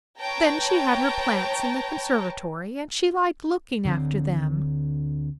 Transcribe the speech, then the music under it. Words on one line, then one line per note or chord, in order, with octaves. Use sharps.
Then she had her plants in the conservatory and she liked looking after them.
B4 C#5 G5 A5 A#5
D2 D3 G3 C4